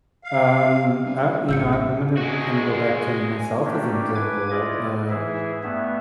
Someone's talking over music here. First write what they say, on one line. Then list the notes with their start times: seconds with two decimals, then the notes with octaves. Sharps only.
Um, uh, you know, I'm I'm gonna, kinda, go back to myself as an example, um,
0.24 F5
1.06 G2
1.49 A1 F3 E6 G6 C#7
1.73 E5
2.17 G#3 F#4
3.65 A3 A#3 C#4 D4 G4
4.15 B4 G#5 D6 G#6
4.51 E4 F4 D5 D#5
5.10 E3 E4 G#4 E5
5.63 G2 A3 B3 E5